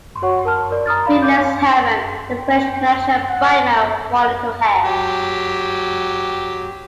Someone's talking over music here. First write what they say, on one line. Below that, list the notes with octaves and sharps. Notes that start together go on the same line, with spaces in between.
"Free" lends "Harem" the French connection Brightman wanted it to have.
F#4 C#5 F#5 C#6
A#4 A5 F6
A#4 D5
A#5 D#6 F6 A6
D5 F5 B5
C#5 F5 D6 G6
G5
F#5
F#3 G4